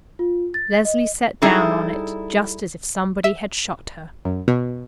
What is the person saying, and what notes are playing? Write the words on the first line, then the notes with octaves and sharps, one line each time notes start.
Leslie sat down on it just as if somebody had shot her.
F4
A6
D#5
G3 D#4 E4 G#4 A4
E5
F#2
B2